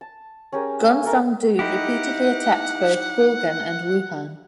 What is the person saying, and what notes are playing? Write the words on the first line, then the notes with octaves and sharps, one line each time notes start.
Gongsun Du repeatedly attacked both Goguryeo and Wuhuan.
A5
C#4 G4 G#4 A#4
A3 B3 A4 A#4
D#4 E4 G4 F#5